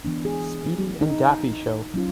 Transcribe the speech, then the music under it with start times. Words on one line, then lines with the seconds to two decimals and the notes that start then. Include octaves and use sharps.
Speedy and Daffy Show.
0.05 E3 B3 D4
0.25 G#4
1.01 D#4
1.94 F#3 C#4 F4